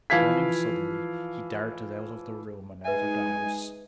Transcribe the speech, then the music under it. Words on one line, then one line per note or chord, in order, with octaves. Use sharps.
And turning suddenly, he darted out of the room and out of the house.
E3 F3 F5 G#6 B6
G#3 D#4 B4 E5 G#5